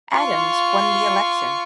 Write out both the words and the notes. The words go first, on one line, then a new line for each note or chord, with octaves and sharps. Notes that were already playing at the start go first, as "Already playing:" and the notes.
Adams won the election.
F4 C#6